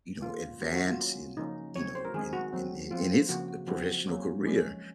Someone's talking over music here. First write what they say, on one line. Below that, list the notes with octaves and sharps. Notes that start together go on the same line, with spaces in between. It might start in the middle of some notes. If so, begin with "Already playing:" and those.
you know, advance in, you know, in in in in his, eh, professional career,
D#3 A#3 C#4 F4
D#3 A#3 C#4 F#4
F#4
F4
F#3 A#3 C#4
C#3 F3 A#3 C#4 D#4
F#3 C4 C#5
C5
A#4
D#3 G#3 C4 G#4
F#4
F#3 C4
F3 C4 F4
C#3 F3 A#3 F#4
F3 C4 F#4
F#3 A#3 C#4
F3 G#3 C#4